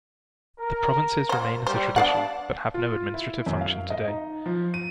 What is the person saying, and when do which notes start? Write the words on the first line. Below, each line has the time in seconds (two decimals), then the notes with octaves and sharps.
The provinces remain as a tradition, but have no administrative function today.
0.58 A#4
1.29 A#3 C5
1.67 G3 C5
1.96 B3 D4 F5 F#5
2.74 F4
3.14 E4
3.46 F#2
3.61 F5
3.90 D#5
4.08 D#4
4.46 F3
4.74 D#7